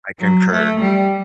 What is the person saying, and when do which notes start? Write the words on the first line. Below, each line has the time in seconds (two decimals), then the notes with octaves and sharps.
I concur.
0.19 F#3
0.51 A3
0.81 G3